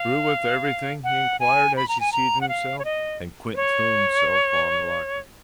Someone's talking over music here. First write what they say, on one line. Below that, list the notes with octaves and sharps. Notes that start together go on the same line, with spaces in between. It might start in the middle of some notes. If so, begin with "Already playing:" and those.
"Through with everything?" he enquired, as he seated himself, and Quinton threw himself on a locker.
Already playing: F5
F#5
G#5
B5
A#5
G#5
A#5
F#5
F5
C#5
D#5
B4
C#5